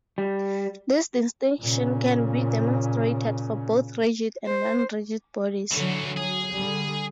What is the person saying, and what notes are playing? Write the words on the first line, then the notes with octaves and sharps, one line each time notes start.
This distinction can be demonstrated for both "rigid" and "non rigid" bodies.
G3
A#2 C#3
C5
D3 E3 F#3 C#4
F#3 G#4
D3 G3